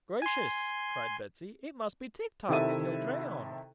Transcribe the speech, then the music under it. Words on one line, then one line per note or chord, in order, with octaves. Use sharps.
"Gracious!" cried Betsy; "it must be Tik-Tok, and he'll drown."
G#5 C6
C3 D#3 E4 A4 E5 D#7